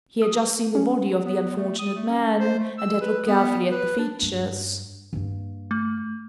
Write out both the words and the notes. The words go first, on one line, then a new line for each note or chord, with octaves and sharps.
He had just seen the body of the unfortunate man and had looked carefully at the features.
D#6
C#4
B3
A3
D#6
A3
C#4
C5
A3
E6
B4
B3
B4
D4
G2
G2 A#3
A3